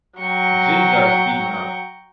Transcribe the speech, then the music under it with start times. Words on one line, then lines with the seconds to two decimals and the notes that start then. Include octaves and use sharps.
Ginger is beaten up.
0.19 F#3 G5 A#5 C#6